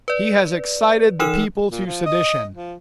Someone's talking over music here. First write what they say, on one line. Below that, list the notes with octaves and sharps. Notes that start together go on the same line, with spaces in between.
He has excited the people to sedition.
B4 D5
E3 D#4 A#4 E6 E7
A#2
F3
D#5
F3